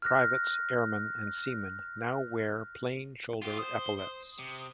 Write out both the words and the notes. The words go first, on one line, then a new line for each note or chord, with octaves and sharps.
Privates, airmen and seamen now wear plain shoulder epaulettes.
F6 F#6 A#6
F4 G4
C5 D#6
C3